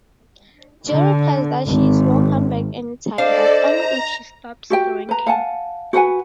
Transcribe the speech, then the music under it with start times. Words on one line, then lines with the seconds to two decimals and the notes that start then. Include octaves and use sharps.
Joe replies that she is welcome back anytime, but only if she stops drinking.
0.87 D3
1.66 G#1
3.18 D4 A4 C5 D5 D#5 F5
3.56 A#5
4.70 F#4 G4 G5
5.09 B4 A#5
5.27 F5 F#5 G#5 A5
5.93 F#4 B4 F#5 G#5